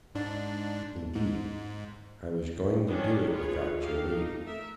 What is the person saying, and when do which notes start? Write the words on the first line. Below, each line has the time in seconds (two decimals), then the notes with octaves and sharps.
Indeed, I was going to do it without your leave.
0.15 G#2 D4
1.15 G#2
2.89 D#3 G3 C#4 D4
3.33 F4 G#4 B4 C#5
3.81 D#4 G4 A4 F5
4.14 D#4
4.45 A3 A#4 E5